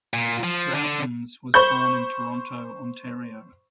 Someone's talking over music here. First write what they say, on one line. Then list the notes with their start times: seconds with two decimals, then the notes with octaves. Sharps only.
Rautins was born in Toronto, Ontario.
0.14 A#2
0.44 F3
0.75 D3
1.54 C5 B5 C#6 G6